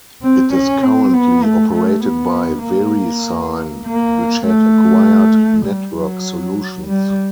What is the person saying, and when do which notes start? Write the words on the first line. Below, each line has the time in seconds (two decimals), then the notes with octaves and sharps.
It is currently operated by VeriSign, which had acquired Network Solutions.
0.23 C4
0.54 C#4
0.83 C4
1.13 B3
1.44 A3
1.73 A3
2.05 B3
2.65 A#3
3.86 A#3
4.46 A3
5.66 G3
5.97 F#3
6.87 G3